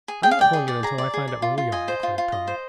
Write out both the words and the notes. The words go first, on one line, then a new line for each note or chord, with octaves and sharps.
"I'm not going in until I find out where we are," declared Tom.
G#4
G#4 G5
F5
D5 G5
G#4
D5
G#4 A#5
D5
G#4
D5
F4
F4
D#5 G#5
C5
F4
F4
D#5
C5